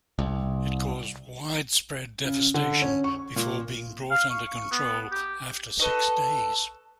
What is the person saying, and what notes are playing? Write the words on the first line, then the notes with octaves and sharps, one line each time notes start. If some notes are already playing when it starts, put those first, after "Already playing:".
It caused widespread devastation, before being brought under control after six days.
C2
C#3
D3
C#4
C#6
A#2
F5
C#6
B3
G4
A4 B4 C#5 D#5